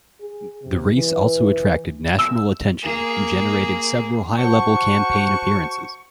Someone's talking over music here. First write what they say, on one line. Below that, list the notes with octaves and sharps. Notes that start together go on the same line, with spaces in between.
The race also attracted national attention and generated several high-level campaign appearances.
G#4
C3
E3
E6
A#3 G#4
F#4 C5 F#5 A5 C#6